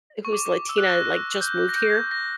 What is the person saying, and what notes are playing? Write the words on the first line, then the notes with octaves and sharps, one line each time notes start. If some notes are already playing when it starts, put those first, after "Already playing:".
who's Latina, like, just moved here
C#6
D6
E6
F#6
A#6
F#6
G6
A#6
G6
A#6